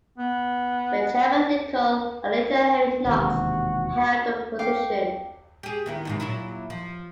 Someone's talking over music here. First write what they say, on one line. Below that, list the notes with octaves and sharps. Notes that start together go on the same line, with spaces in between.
Benjamin Lincoln and later Henry Knox held the position.
B3
E1 D#2 C3 F#4
F5 G5 D6
G4 G#4
D#3 B3 E4
D#2 G#2 C3
A#2 F#3 E4
F3